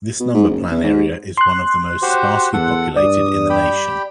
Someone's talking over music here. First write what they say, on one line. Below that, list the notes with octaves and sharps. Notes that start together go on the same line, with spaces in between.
This number plan area is one of the most sparsely populated in the nation.
B2
G#2
F#1
E2
G#2
C6 F#6
F#4 G4 C5
E2 A4 F#5
G2 D5 D#6
G4 G5 B5